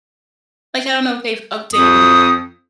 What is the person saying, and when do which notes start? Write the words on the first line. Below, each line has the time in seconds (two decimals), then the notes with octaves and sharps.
Like, I don't know if they've updated it
1.73 F2 D#6